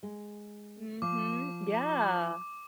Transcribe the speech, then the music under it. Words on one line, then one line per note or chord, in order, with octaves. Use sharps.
Mhm, yeah.
G#3
F3 D6